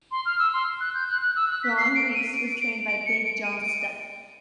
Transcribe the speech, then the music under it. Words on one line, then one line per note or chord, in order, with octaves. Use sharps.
Ron Reis was trained by Big John Studd.
C6
F6
E6
C6
F#6
G6
F#6
F#6
E6
F#6
B6
C7
D7
D#7
D7
D7
D7
D7
C#7
D7
D#7
D7